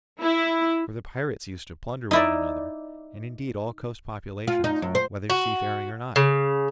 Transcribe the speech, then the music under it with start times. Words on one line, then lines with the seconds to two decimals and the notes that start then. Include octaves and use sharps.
For the pirates used to plunder one another, and indeed all coast populations, whether seafaring or not.
0.21 E4
2.11 D#4 E4 D5
4.47 F4
4.64 D#4
4.82 F#2
4.95 C5
5.30 F#4
6.16 C#3